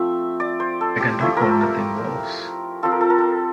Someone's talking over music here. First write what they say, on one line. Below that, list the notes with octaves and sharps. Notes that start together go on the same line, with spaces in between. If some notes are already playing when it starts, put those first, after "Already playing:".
I can recall nothing worse.
Already playing: F3 A3 C4 E5
D5
C5
A4
G4
F3 A3 E4 G4
A4 A#4
A#4
F3 C4 F4 A4
A#4
A4
A#4
A4